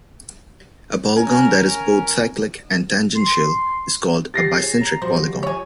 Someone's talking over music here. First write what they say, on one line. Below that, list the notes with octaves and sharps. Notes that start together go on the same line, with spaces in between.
A polygon that is both cyclic and tangential is called a bicentric polygon.
C#4 A#4 G#5
C6
F#3 F4 G4 A6 A#6 C7
G#4 C#5 G#5
A#5
F3 G3 F#4 C5
C#5 G#5